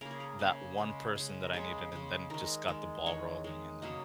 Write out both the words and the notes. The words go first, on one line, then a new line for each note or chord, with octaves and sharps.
that one person that I needed and then just got the ball rolling, and then
C#3 A#3 A#4
G#4
A#4
C#3 A#3
C#3 G#3
C#3 G#3
A#4
C#3 G#3 C#5
C#3 G#3
D#3 G#3 A#4
D#3 G#3
D#3 G#3 C#5
D#3 G#3
C#3 F#3 A#3 D#5